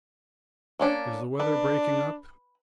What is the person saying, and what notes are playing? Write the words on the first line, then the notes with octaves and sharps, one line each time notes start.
Is the weather breaking up?
A#3 C#4 D4
D4 B4